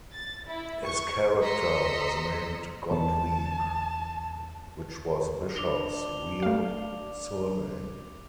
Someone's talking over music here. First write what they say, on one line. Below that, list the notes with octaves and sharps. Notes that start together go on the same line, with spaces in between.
His character was named Gottlieb, which was Bishop's real surname.
A6
E4
C#6
D#5 A#5 C6 E6 B6 C#7
E2 A5
D4 D6 F7 G7
A3 F5